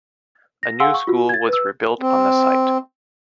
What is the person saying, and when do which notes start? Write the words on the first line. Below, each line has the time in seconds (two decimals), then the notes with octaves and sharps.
A new school was rebuilt on the site.
0.63 A#6
0.80 G#4 F5 F#5 G#5 C6 E6
0.94 C#6
1.07 F4 F#4
1.29 G#6 A6
1.49 B4 E6
2.01 C4